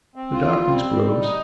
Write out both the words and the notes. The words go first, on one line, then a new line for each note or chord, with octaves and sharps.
The darkness grows.
C4
F4
G3
C4
G3
G3
D#4